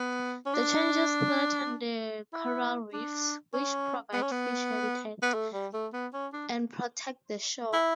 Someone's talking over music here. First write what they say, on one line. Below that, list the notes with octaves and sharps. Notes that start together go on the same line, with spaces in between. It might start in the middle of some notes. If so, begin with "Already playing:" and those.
The changes threaten the coral reefs, which provide fish habitat and protect the shore.
Already playing: B3
C#4
D4
E4
D4
C#4
B3
C#4
B3
B3
A3
G3
A3
B3
C#4
D4
E4